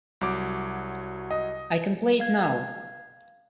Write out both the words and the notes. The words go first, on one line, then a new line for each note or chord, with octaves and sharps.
I can play it now!
C2 F#3 D6
D#5
F5 G#6